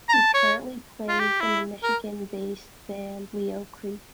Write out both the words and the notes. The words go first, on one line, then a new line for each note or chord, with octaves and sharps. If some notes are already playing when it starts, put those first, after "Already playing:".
He currently plays in the Michigan-based band Leo Creek.
A#5
A5
C#5
F4
G4
E4
A#4